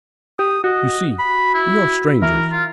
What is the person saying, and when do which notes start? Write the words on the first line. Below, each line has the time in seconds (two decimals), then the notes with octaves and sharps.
"You see, we are strangers."
0.39 G4 D#6
0.64 F#4 D#5
1.19 B5
1.55 E4
2.22 E3 A#4
2.52 F4